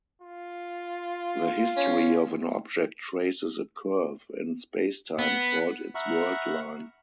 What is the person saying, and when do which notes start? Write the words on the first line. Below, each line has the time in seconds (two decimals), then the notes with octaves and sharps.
The history of an object traces a curve in spacetime, called its world line.
0.22 F4
1.77 C#4
5.19 B3
5.95 E5 F#5 A#5 B5 C#6 F6